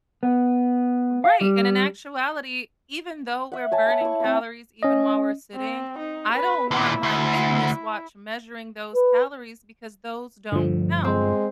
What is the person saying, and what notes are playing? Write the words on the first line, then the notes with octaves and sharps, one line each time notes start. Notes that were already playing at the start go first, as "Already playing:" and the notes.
Right. And in actuality, even though we're burning calories even while we're sitting, I don't want my fitness watch measuring those calories because those don't count.
B3
F5
G3
E5 F#5
C#5 G#5 A5
A5 B5 C#6
E4 C#6
C4 B5
C#4 D#5
C4
D#4
B4
D#2 A#2 E4
D2
B4
G2 D3 F3 A3
G#3 C4